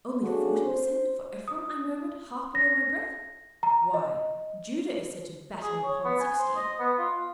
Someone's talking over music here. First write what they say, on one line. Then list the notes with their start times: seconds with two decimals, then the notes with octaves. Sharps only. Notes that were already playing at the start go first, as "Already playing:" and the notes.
'Only forty per cent for Ephraim!' I murmured, half below my breath. 'Why, Judah is said to batten upon sixty.'
0.22 C#3 D4 F#4 G#4 A4
0.65 C5
1.48 D#6
2.55 A#6
3.63 A#5
3.94 D#5
5.62 G#4
5.83 C#5
6.05 B3
6.20 G#5
6.39 C5
6.56 D#5
6.80 B3
6.99 F4